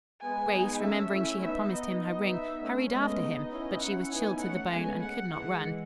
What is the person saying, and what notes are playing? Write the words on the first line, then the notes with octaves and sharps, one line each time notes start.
Grace, remembering she had promised him her ring, hurried after him, but she was chilled to the bone and could not run.
G#3 B3 G#5
B3 D#4
A3 C#4 E5
C#4 E4
B3 D#4 E5
D#5
D#5
E5
A3 C#4
G#3 B3 D#5
B3 D#4
C#4 E4 D#5
F#5
B3 D#4 G#5
A3 C#4 F#5
G#3 B3 G#5
F#5
E3 G#3 F#5